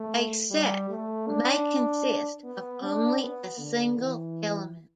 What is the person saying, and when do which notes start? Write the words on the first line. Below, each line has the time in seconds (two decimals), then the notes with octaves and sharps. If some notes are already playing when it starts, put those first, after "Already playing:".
A set may consist of only a single element.
Already playing: A3
0.50 G3
0.90 A3
1.27 D4
2.44 B3
2.82 D4
3.20 B3
3.58 D3
3.98 E3